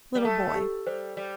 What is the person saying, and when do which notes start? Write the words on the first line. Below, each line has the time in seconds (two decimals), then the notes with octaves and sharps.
Little boy.
0.15 G3
0.24 A3 A4
0.55 G4
0.87 G3 C5
1.17 G3